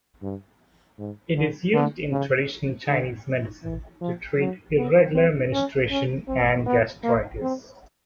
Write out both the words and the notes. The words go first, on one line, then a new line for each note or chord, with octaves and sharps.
It is used in traditional Chinese medicine to treat irregular menstruation and gastritis.
G2
G#2
D3
D3
C#3
D3
E3
F3
F#3
B3
C4
C#4
C#4
C4
B3
A#3
C4